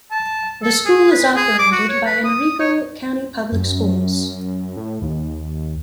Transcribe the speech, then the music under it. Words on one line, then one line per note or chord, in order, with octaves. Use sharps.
The school is operated by Henrico County Public Schools.
A5
A4
G#4
B4
G#4
D6
F#4
C#5
B4
D#6
C#5
F#2
A2
D#2